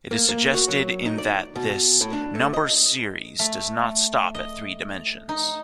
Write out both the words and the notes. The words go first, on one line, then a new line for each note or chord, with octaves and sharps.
It is suggested in that this number series does not stop at three dimensions.
A#3
A#3
F#4
F#3
D#4
D5
B2
A2
D4
A3
D#5
A3
D#5
D#4